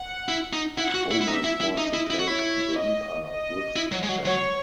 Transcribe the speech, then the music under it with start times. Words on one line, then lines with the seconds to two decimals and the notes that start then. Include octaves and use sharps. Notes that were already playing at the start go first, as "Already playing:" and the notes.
Homer is forced to take Grampa with them.
Already playing: F#5
0.28 E4
0.53 D#4
0.78 E4 F#5
0.95 F#4
1.11 E4
1.21 E4
1.28 D#4 E5
1.44 E4
1.61 E4
1.77 D#4 D#5
1.94 E4
2.10 E4
2.19 F#4
2.27 E4 C#5
2.76 D#5
3.26 D#5
3.76 E4
3.92 F#3
4.03 G#3
4.09 F#3
4.25 F#3 C#5